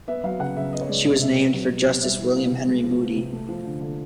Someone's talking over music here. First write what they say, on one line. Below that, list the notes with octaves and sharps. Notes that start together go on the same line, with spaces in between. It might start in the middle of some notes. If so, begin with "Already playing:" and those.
She was named for Justice William Henry Moody.
B3 E5
F#3 F5
C#3 F#5
C#3 E5
B3 D#5
C#5
G#3 D5
B2 D#5
B2 E5
B3
F#3
B2
B2
G3 E5
E3
A#3
C3
G#3
F3
B3
C3
A3
F3
D3
D3